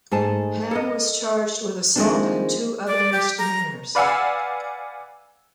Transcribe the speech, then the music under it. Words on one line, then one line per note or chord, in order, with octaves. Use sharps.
Hamm was charged with assault and two other misdemeanors.
G#2 A3 G#4 A5
A4 A#4 D#5
D#3 F3 G#3 A#3 C4 D4
D5
G4
A#5
B4 D5 F5 F#5 G#5 E6